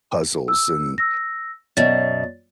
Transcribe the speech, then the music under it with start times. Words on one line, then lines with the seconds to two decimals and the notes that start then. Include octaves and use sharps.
puzzles and
0.48 E6
0.98 E6 A#6
1.77 F#2 B2 C#5 D5 A6